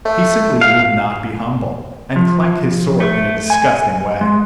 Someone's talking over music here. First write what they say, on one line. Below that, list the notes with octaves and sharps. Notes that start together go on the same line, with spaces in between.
He simply would not be humble, and clanked his sword in a disgusting way.
A3
F5
F3
A3
G#5
G#3